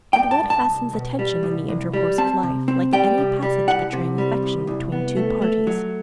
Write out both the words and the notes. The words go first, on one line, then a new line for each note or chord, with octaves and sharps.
And what fastens attention, in the intercourse of life, like any passage betraying affection between two parties?
G5
G2
A5
G2
A5
C2
B2
G3
C2
C2
G3
C4 A5
C3
C4
G3 G5
C3
G3
C2 F#5
C3
G3
C2
C2
B3
A3
A3
F#3